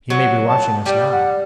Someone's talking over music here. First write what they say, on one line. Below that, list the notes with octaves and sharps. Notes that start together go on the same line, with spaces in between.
"He may be watching us now."
F#3 F#5
A5
G3 G5
F#5